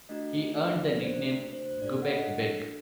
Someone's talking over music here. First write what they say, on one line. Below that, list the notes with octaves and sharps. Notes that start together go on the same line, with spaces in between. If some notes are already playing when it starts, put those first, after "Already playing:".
He earned the nickname "Gubec Beg".
A3 D4 F#4 D#5
D5
C5
C5
D4 F#4 A4 D5
F#5
D#5